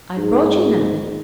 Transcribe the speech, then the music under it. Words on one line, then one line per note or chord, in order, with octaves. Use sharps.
'I've brought you nothing.
G#2